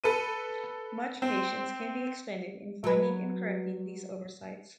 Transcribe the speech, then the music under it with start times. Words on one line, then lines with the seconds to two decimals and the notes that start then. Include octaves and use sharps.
Much patience can be expended in finding and correcting these oversights.
0.04 A4 B4 D#7
1.22 C4
2.84 F#3 B4